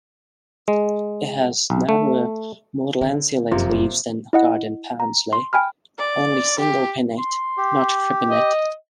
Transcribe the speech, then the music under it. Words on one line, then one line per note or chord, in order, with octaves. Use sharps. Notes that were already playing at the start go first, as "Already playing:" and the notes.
It has narrower, more lanceolate leaves than garden parsley, only single pinnate, not tripinnate.
G#3
B1
A3
D3
F#1 F2 C3 F3 A#3
E4 D#5 F#5
A#5
C6
G5 G#5 B5 F6
D5
G4
C6
G4
D#5